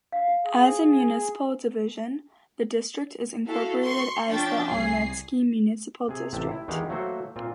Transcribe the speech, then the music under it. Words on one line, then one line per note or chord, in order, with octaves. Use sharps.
As a municipal division, the district is incorporated as Olonetsky Municipal District.
F5
G#4
E4 F#4 A4 F5
C6 C#6
F3 C#4 D4 G5 A6
C2 G#4 C7
C3 G#4
A1 C3 G4 A5
E4
E2 D#3 G#3 G4 F5 F#5
F#3 A3 A#3 F#4 C5
A#2 C4 F4